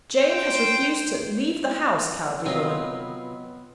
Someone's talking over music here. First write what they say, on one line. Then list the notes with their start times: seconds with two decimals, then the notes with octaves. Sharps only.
Jane has refused to leave the house, cowardly woman!
0.20 C5 G5
2.46 C3 F#3 B3 C4 F4 B4 D#5